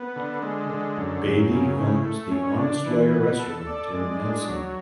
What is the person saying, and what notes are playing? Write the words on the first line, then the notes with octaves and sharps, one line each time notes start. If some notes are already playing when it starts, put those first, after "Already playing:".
Baillie owns The Honest Lawyer restaurant in Nelson.
Already playing: B3
D3
G#3
D3
F#2
F#2
C#3
A2
A3
C#4
D4
E3
B3
A4
D5
G#3
D4
F#3